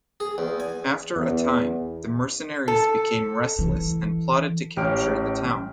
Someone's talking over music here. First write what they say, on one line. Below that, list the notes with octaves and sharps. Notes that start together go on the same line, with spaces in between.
After a time, the mercenaries became restless and plotted to capture the town.
G#4
E2
G#5
E2
A4
E3
A1 G4 C#5 G5 F6 D7